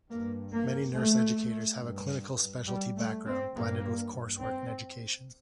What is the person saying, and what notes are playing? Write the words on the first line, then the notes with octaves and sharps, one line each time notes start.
Many nurse educators have a clinical specialty background blended with coursework in education.
G2 A#3
A#3
A3
G2
G3
A3
C4
G2 A#3
C4